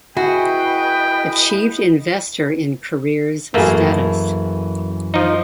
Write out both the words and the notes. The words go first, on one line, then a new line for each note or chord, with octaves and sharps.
Achieved Investor in Careers status.
E4 F#4 G#4 B4 D#5 G5
F#2 E3 A3 A#3 G#4
F3 D#4